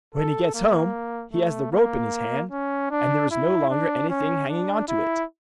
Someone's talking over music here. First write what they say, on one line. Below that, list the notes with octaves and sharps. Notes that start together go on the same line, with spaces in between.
When he gets home, he has the rope in his hand, and there is no longer anything hanging on to it.
A4
A#3
A3
A#3
C#4
D4
E4
D4
C#4
D4
E4